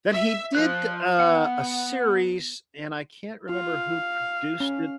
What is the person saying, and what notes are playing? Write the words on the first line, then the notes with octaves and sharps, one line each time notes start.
Then he did, uh, a series, and I can't remember who produced it
E5
F3 F#6
B3 F#5
F4 F5
C#4